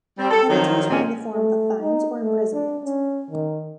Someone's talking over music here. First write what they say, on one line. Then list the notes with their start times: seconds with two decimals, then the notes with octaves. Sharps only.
Penalties were in the form of fines or imprisonment.
0.19 G3 C4
0.31 A4
0.49 D#3 F3 F#3
0.90 A#2 D3 G#3 C4 C#4
1.33 A3
1.81 D#4
2.22 A3
2.53 D4
2.84 C#4
3.31 D#3